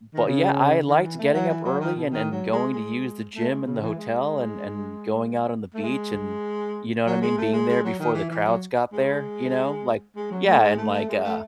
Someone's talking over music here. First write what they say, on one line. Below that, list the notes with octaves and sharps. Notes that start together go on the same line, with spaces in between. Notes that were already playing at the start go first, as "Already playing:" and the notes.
but, yeah, I liked getting up early and and going to use the gym in the hotel and and going out on the beach and, you know what I mean? Being there before the crowds got there, you know? Like yeah, and like, uh,
D#3
C#3
D#3
E3
A3
F#3
E3
F#3
D#3
B2
D#3
F#3
G#3
G#3
A3
G#3
C#3
E3
G#3
A3
G#3
F#3
G#3
A3
G#3
G#3
F#3
D#3
E3
E3
F#3
G#3
G#3
F#3
A3
G#3
A3
A3
G#3
A3